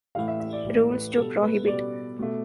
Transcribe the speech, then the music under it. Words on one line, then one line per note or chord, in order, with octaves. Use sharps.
Rules To Prohibit.
A2 E3 A3 F5
E5
E5
D5
A2 E3 A3
B4
B2 G3 A4
B4
B2 G3 D5
B2 A3